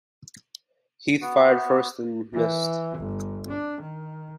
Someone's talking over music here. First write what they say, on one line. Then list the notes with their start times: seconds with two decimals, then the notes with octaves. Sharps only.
Heath fired first and missed.
1.21 B3 F#4
2.33 E3
2.98 G1
3.48 D4
3.81 D#3